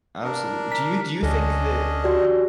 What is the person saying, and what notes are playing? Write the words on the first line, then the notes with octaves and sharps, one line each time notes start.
Absolutely. Do you do you think that
D4 A#4
A#5 B6
D2 C#4 D4 A4 D#5
F#4 G4 D5